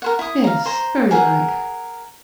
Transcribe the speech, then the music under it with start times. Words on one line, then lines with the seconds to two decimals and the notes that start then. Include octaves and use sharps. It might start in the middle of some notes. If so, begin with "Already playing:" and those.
'Yes, very like.
0.02 A#4 C5 F#5
0.19 E4 D#6
0.44 F5 A#5
0.66 C5 A#5
1.11 G#4 A#4 F#5